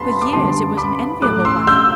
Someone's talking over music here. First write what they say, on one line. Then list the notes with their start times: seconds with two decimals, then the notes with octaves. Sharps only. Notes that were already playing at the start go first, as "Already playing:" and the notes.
For years it was an enviable one.
Already playing: F#2 B3 A5 B5 C6
0.21 D6
0.33 F#2 D3 G3 B3 A5 C6
0.77 B5 D6
1.22 A2 F#3 A3 D6 F#6
1.45 C6 E6
1.67 E6 G6